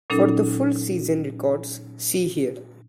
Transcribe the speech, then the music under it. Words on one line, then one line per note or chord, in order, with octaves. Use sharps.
For the full season records, see here.
A#2 F#3 C#4 D#4 A4